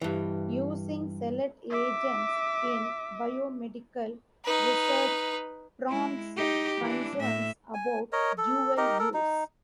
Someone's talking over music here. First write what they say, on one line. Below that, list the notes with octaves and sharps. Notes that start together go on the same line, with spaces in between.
Using select agents in biomedical research prompts concerns about dual use.
G2 E3
E5 D6
D#4 B4
G#3 E4
D#4 G4
E3 D4
A2 E5
G#5
A#4 C#5 D#5
A4
D#4 G4 A#4 D#5
A4 A#4
D#4